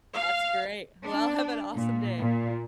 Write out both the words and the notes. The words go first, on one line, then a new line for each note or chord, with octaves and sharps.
That's great. Well, have an awesome day.
F5
D4
A#2
A#2